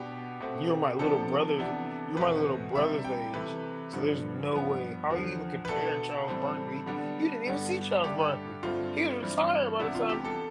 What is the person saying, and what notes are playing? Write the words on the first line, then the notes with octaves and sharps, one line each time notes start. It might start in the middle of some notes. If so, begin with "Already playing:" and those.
you're my little brother's you're my little brother's age, so there's no way how are you even comparing Charles Barkley? You didn't even see Charles Barkley. He was retired by the time you
Already playing: B2 B3 D4 G4
B2 A3 C4
C3 F3 B3 D4 A4
C3 E3 B3 D4
E2 B2 A3 C4 B4
C3 G3 D4 E5
G5
C3 E3 A3 B4
G2 D3 F3
G2 F3 B3
E2 D3 F3
B4
B2 A3 D4 A4
A2 E3 G3 C4
D3 G3 B3 D4
G2 D3 G3 B3 D4
G2 D3 A3 D4 G4
G2 D3 A3 C4 F4
G2 E3 G3 C4
C3 E3 B3 D4 E4
F4
G4
A4